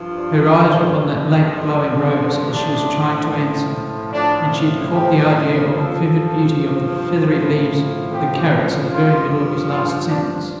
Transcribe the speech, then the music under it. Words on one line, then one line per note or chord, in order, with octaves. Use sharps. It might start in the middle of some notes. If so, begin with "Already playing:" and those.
Her eyes were on that late-blowing rose as she was trying to answer; and she had caught the idea of the vivid beauty of the feathery leaves of the carrots in the very middle of his last sentence.
Already playing: G2 F3
D4
G2 D3 F3
A2 F3 D4
A2 F3 D4
G4
G2 F3 A4
A2 F3
G4
G2 F3 F4
F4
D4